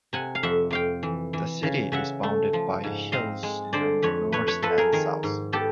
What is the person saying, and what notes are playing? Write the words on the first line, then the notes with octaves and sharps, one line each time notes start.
The city is bounded by hills in the north and south.
C3 F#5 G#5
F5
F2 E5 F#5
F2 F5 G5
E3
E3
C#3
C#3 E5 F#5
A3
F3
G#2
C4 D#5 F5
G#3
D3 C5 D5
F2 B4 C#5
A3 B4 C#5
B4 C#5
F3 A4 B4
G#4 A#4
D#3 G#4 A#4
G#2
B3 G4 A4